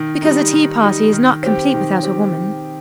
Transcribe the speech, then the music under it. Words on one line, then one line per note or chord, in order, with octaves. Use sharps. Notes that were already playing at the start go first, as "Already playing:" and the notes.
"Because a tea-party is not complete without a woman."
Already playing: D#3
G3 D#4
D#3
G3 D#4
D#3
C4 G4
D#3
C4 G4